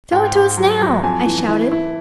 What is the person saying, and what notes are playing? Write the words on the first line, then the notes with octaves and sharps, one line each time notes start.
"Show it to us now!" I shouted.
G#2 G5
G#2
F#3
F#3
F2 G#5
E3
E4
E4